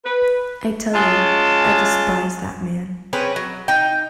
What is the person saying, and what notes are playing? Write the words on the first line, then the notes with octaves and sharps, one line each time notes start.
I tell you I despise that man.
B4
G#3 C#4 F4 A5
C4 C#4 G#4 B4
F#3
D#4 G5